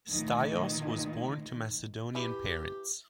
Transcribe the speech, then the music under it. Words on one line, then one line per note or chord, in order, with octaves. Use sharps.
Staios was born to Macedonian parents.
A#2 D#3 E3 A3
E3 G4